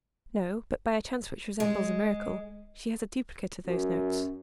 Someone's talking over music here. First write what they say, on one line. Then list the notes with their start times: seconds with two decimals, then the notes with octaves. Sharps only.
"No; but by a chance which resembles a miracle, she has a duplicate of those notes."
1.60 G#3
3.67 F#2